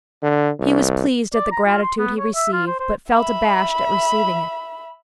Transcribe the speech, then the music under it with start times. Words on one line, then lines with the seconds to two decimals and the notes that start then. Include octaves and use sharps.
He was pleased at the gratitude he received, but felt abashed at receiving it.
0.23 D3
0.59 C2
1.34 D5
1.52 A#5
1.66 F4
1.82 C6
1.98 B3
2.19 C#5
2.35 E5
2.53 F4
2.67 C5
2.80 C5
3.10 E5 B5